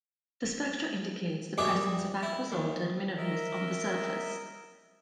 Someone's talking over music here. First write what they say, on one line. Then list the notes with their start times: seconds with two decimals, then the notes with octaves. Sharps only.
The spectra indicates the presence of aqueous-altered minerals on the surface.
1.58 F#2 B2 G4 G#4 D5 E5
1.74 G3
2.23 E4
2.52 D#2
3.17 A#4 D#5 E5